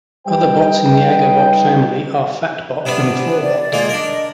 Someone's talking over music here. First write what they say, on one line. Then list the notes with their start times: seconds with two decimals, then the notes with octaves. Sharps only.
Other bots in the Agobot family are Phatbot and Forbot.
0.27 G3 D#4 B4 G5
2.86 C3 B3 D4
3.27 B4
3.42 D5
3.72 G#3 A#3 F4
3.89 D4 A#4 D#5